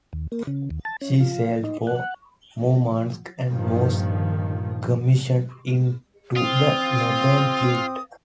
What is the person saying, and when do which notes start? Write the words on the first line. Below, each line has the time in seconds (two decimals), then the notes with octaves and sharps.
She sailed for Murmansk and was commissioned into the Northern Fleet.
0.13 D#2
0.32 A#3
0.47 C#3
0.70 D#2
0.85 A5
1.01 C#4
1.20 F4
1.64 D#4
1.87 F#5
3.50 G2 A#2 D#3 F3
6.36 C4 F4 D#6